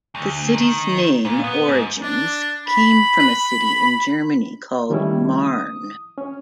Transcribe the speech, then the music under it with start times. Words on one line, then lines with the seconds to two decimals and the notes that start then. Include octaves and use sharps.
The city's name origins came from a city in Germany called Marne.
0.15 D2
0.54 D#3
1.25 A#2
1.44 B3
1.68 G#2
2.02 D4
2.67 B5
3.19 B5
4.90 D#3 G3 A3 C#4 E4
5.45 D#6
6.18 C#4